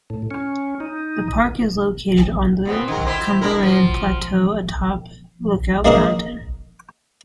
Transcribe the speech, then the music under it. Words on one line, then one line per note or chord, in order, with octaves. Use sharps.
The park is located on the Cumberland Plateau, atop Lookout Mountain.
A2
C#4
D#4
A#2 B3 C4
D#3 A#4
E4 G4 C5
D4 E4 A#4
F3 F#3
G#3 A#3 D4 G#4 A#4 D#5